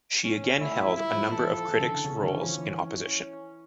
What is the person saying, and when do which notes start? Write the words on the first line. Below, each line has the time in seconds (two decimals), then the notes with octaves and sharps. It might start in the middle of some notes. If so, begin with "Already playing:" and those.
She again held a number of critic's roles in opposition.
0.24 C#4
0.60 A3 E4
0.86 F3
0.96 G3 E4
1.14 F3
1.32 E3 A4
1.50 F3
1.68 E3
1.80 C#3
1.87 D3
2.04 C#3 C#4
2.22 D3
2.34 E3
2.40 F3
2.58 E3
2.76 C#4